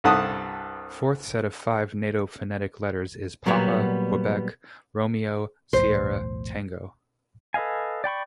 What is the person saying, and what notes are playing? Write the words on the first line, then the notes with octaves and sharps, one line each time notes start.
Forth set of five Nato phonetic letters is Papa, Quebec, Romeo, Sierra, Tango.
C2 G2 A4 F#5 A5 D#6
A#2 F#3 G3 A#3 B3
B1 E2 A2 C5
A4 B4 D#5 F5 G#5
D5 G5 B5 C#6